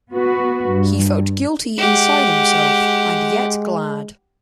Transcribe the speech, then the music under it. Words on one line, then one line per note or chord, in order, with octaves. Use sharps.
He felt guilty inside himself, and yet glad.
B3 F#4 B4
G2
G#3 G4 F#5